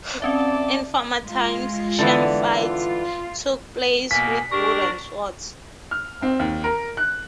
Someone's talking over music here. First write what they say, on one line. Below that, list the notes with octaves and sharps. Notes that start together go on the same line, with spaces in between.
In former times, sham fights took place with wooden swords.
C4 C#4 D5 E5 A5
G#3 F4
D3 E3 B3
F4
B2 A#3 G#5 B6
D4 G4 A#4 C#6 A#6
F6
C4
D#2
A#4
F#6